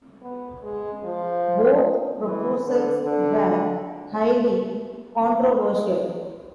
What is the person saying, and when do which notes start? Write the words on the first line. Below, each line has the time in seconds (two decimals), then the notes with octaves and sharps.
Both proposals were highly controversial.
0.22 B3
0.63 G#3
1.04 F3
2.25 E3
2.65 D3
3.05 D3